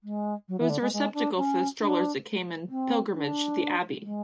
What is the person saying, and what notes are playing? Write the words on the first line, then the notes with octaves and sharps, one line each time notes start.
It was a receptacle for the strollers that came in pilgrimage to the abbey.
G#3
F#3
E3
D3
G#3
G#3
D4
C#4
D4
C4
D4
G#3